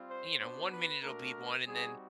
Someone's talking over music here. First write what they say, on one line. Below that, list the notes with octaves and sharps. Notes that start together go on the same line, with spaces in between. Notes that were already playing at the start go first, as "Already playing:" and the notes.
you know, one minute it'll be one, and then
Already playing: G3 C4 F4
C5
B3 D4 F#4 C5
B4
A3 D4 F#4 A#4
G3 C4 D#4 F#4 G#4